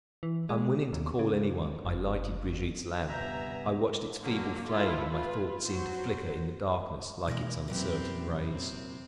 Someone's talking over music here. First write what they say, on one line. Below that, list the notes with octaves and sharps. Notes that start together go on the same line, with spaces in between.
Unwilling to call any one, I lighted Brigitte's lamp; I watched its feeble flame and my thoughts seemed to flicker in the darkness like its uncertain rays.
E3
G#3
D#2
C#3
F#1
D2 G2 C3 B3 E5 G#5 A#5 G6
D3 F#3 A#3 F5
E4 F4 A4
F4 B4
F#3 F#4 C5
B2 E3 G#3 E4 A#4 B4
F2 A#2 F#3 C4 C#4 E4 G4 B4
C3 C4